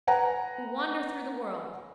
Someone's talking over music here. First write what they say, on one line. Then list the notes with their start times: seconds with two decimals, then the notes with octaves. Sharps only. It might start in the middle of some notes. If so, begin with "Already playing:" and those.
Who wander through the world.
0.07 B4 F#5 G#5 A#5